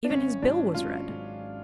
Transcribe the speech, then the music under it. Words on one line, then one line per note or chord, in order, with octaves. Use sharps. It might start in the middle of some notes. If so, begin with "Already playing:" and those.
Even his bill was red.
D4
G#1 C#4
G#2 F#3 C#4 D4
G#1 F4
G#2 F#3 C#4